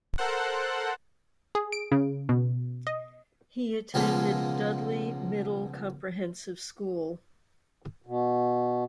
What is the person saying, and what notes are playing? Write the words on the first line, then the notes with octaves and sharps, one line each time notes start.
He attended Dudley Middle Comprehensive School.
A4 A#4 C5 F#5
G#4
D7
C#3
B2
D#5
C#2 B2 F3 G#3 A#3
B2